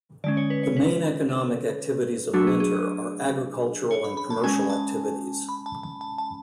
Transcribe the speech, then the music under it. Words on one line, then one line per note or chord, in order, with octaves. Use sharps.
The main economic activities of Linter are agricultural and commercial activities.
D3 G#3 C#4 D5
C#5
B4
C#5
B4
A4
F#3 A3 D4 F#4
G#4
G#4
C#5
B5
B5
A5
G#3 C#4 G#5
A5
B5
A5
A5
A5
A5